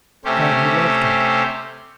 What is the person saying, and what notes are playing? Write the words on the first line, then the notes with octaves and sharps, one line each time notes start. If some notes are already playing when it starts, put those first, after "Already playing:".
Had he loved her?
C3 A3 C#4 G4 C5